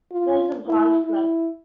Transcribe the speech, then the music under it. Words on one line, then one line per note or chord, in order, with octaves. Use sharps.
There is a golf club.
F4
E4
E4